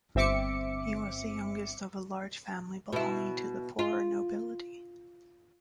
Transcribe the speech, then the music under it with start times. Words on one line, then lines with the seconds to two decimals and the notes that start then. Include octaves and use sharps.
He was the youngest of a large family belonging to the poorer nobility.
0.15 G1 C4 E5 D6 C#7
2.93 B2 E4
3.79 F4